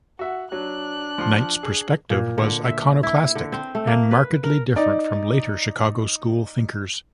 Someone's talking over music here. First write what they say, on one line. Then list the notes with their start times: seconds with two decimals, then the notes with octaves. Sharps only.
Knight's perspective was iconoclastic, and markedly different from later Chicago school thinkers.
0.19 F#4 E5 F#5
0.52 F#3 D4 F#6
1.18 F3 C6
1.63 G#4
2.10 A#2
2.38 D3
2.64 E5
3.03 E4
3.35 D3
3.52 C4
3.75 A3
3.87 A#3
4.11 B4
4.44 A#4
4.76 D#4 D5